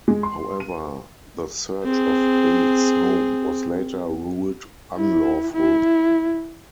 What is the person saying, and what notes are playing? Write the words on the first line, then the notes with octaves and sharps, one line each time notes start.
However, the search of Bates' home was later ruled unlawful.
G#3
C6
D#7
C4 G#4
E4
E4